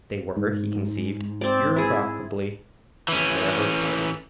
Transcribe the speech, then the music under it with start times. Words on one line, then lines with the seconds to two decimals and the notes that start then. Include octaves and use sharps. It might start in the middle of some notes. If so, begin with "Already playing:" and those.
They were, he conceived, irrevocably and for ever parted.
0.37 G#2
1.41 C4 D5
1.76 E4 G#4
3.08 E3 C#4